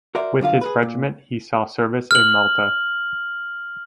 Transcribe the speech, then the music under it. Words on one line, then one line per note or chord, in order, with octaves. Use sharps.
With his regiment he saw service in Malta.
F#4 A#4 C5 D5 E5
F#2 D3 F4 F5
G#4 A#4 B4
A#2
F6 F#7